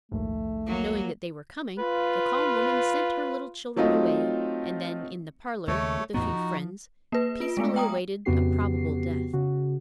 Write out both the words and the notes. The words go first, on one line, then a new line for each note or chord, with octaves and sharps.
Knowing that they were coming, the calm woman sent her little children away, and then in the parlor, with a few friends, peacefully awaited a probable death.
A#1 D#2 G#2 A3
F#3 A#3
F4 B4
F#3 A3 C4 D#4 F4
D#2 C#3 A3 A4 C#5
E2 A2 B3 D#4 F#4
F3
A#3 B4
F4 D7
G#3 A3 B3
G5 A#5 D#6
F2 C#3 B3 F#4 G4 C7
C#3 F#4